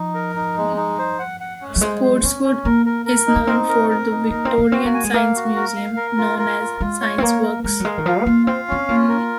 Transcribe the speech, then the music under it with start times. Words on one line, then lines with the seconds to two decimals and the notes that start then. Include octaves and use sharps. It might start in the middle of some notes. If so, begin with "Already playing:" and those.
Spotswood is known for the Victorian Science Museum, known as Scienceworks.
Already playing: F3 D#4
0.14 A#4
0.36 D#4
0.57 G#3
0.77 D#4
0.99 C5
1.19 F#5
1.40 F#5
1.61 C#4
1.76 F#3
1.81 G#3 C5
2.02 C5
2.23 C4 C#4
2.44 C#4
2.65 A#3 A#4
2.86 A#4
3.06 A#4
3.27 D#4
3.36 A#3
3.47 C4 D#4
3.69 A#4
3.90 A#4
4.11 D#4
4.30 A#3 A#4
4.45 C4
4.51 F5
4.58 A#3
4.72 C4 F#4
4.85 A#3
4.94 G#5
5.04 G#3
5.14 A#3 F5
5.36 F#4
5.56 A#4
5.77 F5
5.97 A#4
6.18 F4
6.39 A#4
6.60 F4
6.81 G#3 F4
7.01 C#5
7.18 C4
7.22 A#3 A#4
7.43 A#4
7.64 G#3 A#4
7.80 F#3
7.85 G#3 F5
7.98 D#3
8.06 F3 F5
8.22 C4
8.26 A#3 F4
8.47 C4 F5
8.68 C4 C#4
8.89 A#3 F4
9.09 A#4